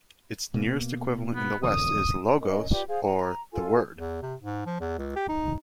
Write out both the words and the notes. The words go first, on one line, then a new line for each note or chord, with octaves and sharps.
Its nearest equivalent in the West is Logos or the 'Word'.
B2 A#3
B3
E1 F2 D3 D#6
C#4 A#4 D#5
F4 G4 B4 D5
G#4 C5 F5
A#5
F4 A4 G#5
E2
C3
G#2
F3
E2
C#2
G4
D#4